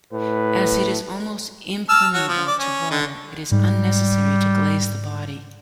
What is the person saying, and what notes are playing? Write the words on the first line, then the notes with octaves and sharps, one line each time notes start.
As it is almost impermeable to water, it is unnecessary to glaze the body.
A2 B4
A5 E6 F6
F#4 C#5
F3
D5
C#4
D3
G#2 G3